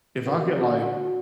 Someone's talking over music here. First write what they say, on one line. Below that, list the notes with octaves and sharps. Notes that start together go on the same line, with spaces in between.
if I could, like
A1 D#2 B2 D#3 B3
D3 F#4